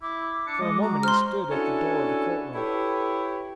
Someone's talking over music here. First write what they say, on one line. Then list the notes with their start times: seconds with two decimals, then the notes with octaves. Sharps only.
For a moment he stood at the door of the court-room.
0.02 E4 D6
0.47 D4 C#7
0.61 G#3 D#5
0.82 F#4 A#5
1.03 C5 C6 F6
1.50 C#4 D4 E4 F#4 A4
2.54 E4 G4 A4 B4 C#5